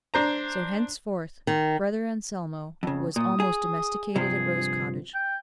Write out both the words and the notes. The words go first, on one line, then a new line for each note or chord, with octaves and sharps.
So henceforward "Brother Anselmo" was almost domesticated at Rose Cottage.
D4 C5 A#5
D#3
F2 C#3
A#2 D#6
G#4
G2 C3 F3 G#4
G5